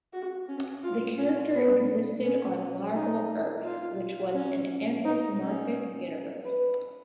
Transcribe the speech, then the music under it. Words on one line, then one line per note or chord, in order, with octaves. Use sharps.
The character existed on Larval Earth, which was an anthropomorphic universe.
F#4
C#4
F4
C#4
B3
C#4
D#4
F4
C#4
D#4
C#4
B4